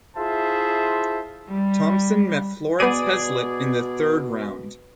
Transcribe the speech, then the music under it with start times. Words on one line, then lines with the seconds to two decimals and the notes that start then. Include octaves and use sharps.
Thompson met Florence Hezlet in the third round.
0.16 E4 F4 G#4 C5 E5 A5
1.53 G3
2.80 B2 B3 G#4 D5 D#7